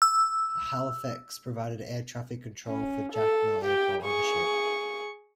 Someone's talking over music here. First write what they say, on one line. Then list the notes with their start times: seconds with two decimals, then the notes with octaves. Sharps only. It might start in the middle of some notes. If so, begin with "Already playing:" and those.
"Halifax" provided air traffic control for Jacmel Airport on the ship.
0.02 E6
2.67 C#4
3.12 A4
3.64 G4 G5
4.03 G#4 C#6